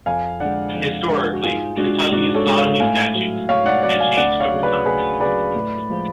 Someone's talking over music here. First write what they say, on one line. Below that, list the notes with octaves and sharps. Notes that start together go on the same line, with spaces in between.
Historically, Kentucky's sodomy statutes had changed over time.
F2 F5 G#5
D3 G#3 D5 F#5
F2
D3 G#3
F#4
G#2 F4 G#4
G#3 D4 F#4
G#2 D4 F#4
A4 C#5
G#3
C#5 F5
A2 F5 G#5
F#3
A2 C#5 F5
D5 F#5
F#3 D5 F#5
F5 G#5
D2 D5 F#5
C#5 F5
C#3 F#3
B4 D5
D2 G#4 B4
C#3 F#3 B4 D5
A2
F3 G#3